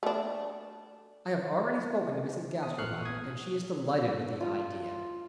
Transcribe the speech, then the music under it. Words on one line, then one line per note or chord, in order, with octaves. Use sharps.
I have already spoken to Mrs. Gaster about it and she is delighted with the idea.
A3 D4
B3 D#6
A1 A#2 C#6 F6 F#6 C7
B3 D#6 G#6
F4